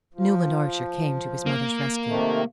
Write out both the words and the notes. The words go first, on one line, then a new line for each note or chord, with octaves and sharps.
Newland Archer came to his mother's rescue.
F3
A#3
C3 D#3 A3